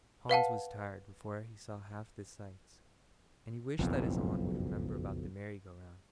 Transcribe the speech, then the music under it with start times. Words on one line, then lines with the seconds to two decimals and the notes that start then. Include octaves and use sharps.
Hans was tired before he saw half the sights; and he wished that his aunt would remember about the merry-go-round.
0.29 B4 F5 F#5 A5
3.79 F#1 B1 F2